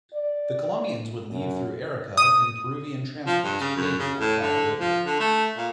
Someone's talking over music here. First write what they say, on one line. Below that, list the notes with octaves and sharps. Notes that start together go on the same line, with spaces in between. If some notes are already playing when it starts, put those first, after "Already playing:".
The Colombians would leave through Arica in Peruvian transports paid for by Bolivia.
D5
F#2
D#6
F3
G2
C#3
F#2
C#3
A2
D3
F3
D3
A3
A#2